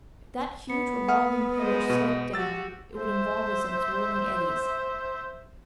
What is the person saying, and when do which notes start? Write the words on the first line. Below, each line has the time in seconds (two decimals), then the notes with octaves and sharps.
If that huge revolving pillar sloped down, it would involve us in its whirling eddies.
0.70 B3 C#7
1.08 F#5 D#6 F6
1.58 G#3 C5 D#5
1.90 B2
2.34 F#4 G4 E6 A6
2.96 C5 E5